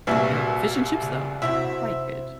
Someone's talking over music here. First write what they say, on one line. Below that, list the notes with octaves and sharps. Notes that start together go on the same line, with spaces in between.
Yeah. Fish and chips, though. Quite good,
C2 A#2 F#4 G#4 B4 E5
C#3
C3 E4 F#4 E5